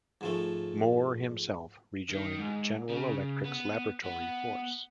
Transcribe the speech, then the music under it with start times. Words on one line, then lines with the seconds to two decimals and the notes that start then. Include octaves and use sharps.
Moore himself rejoined General Electric's laboratory force.
0.21 G#2 F3 A3
2.10 D#3
2.38 G#2
2.89 C#3
3.45 B3
4.03 B3